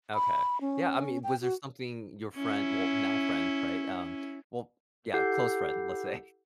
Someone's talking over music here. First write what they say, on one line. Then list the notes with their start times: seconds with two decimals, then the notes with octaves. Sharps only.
Okay. Yeah, I mean, was there something your friend well, now friend, right? Um, well Yeah, close friend, let's say,
0.14 B5
0.61 C#4
1.24 G5
1.42 F#4
2.36 C#4 E4
5.13 E4 G4 A4 F#5 G6 C7